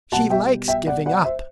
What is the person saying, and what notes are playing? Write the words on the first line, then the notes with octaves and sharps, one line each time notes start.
"She likes giving up."
B2 G3 F#5 A5
E5 G5
E5 G5
D5 F#5
D5 F#5
C5 E5